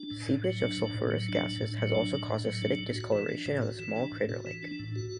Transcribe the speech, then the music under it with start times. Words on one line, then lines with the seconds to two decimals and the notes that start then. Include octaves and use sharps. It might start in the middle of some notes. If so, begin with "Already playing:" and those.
Seepage of sulfurous gases has also caused acidic discolouration of the small crater lake.
Already playing: D4
0.11 A2
0.27 A2
0.44 F#3
0.61 D4
0.78 A2
0.95 A2
1.11 F#3
1.28 D4
1.45 A2
1.62 A2
1.78 F#3
1.95 D4
2.12 A2
2.28 A2
2.45 F#3
2.62 D4
2.79 A2
2.95 F#4
3.13 E3
3.29 D4
3.46 A2
3.62 F#4
3.79 E3
3.96 D4
4.12 A2
4.29 F#4
4.46 E3
4.63 D4
4.79 A2
4.96 F#4